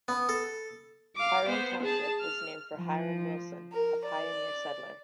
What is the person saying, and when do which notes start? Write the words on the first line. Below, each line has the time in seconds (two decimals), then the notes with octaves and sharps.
Hiram Township was named for Hiram Wilson, a pioneer settler.
0.08 B3
0.29 A4
1.16 F5 D6
1.48 B3 C5
1.83 G#4 A5
2.21 F6
2.78 F3
3.73 A#4
4.07 D5